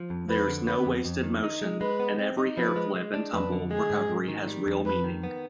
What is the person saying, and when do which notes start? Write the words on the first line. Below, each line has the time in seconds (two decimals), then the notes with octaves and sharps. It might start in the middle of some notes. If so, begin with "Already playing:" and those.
There's no wasted motion, and every hair flip and tumble recovery has real meaning.
Already playing: F3
0.10 F2
0.28 F2 B4
0.47 D3
0.66 B3 B4
0.86 F2
1.05 F2
1.23 D#3
1.43 D#4
1.62 G#3
1.81 G#3 B4
2.00 B3
2.19 C4
2.38 D#4
2.57 F3 B4
2.76 G#3
2.95 G#3
3.14 D4
3.33 F2 B4
3.52 D3
3.71 G#3 G#4
3.90 G#2
4.10 G#2
4.28 D#3
4.48 G3
4.66 F2
4.85 F2 B4
5.04 D#3
5.23 B3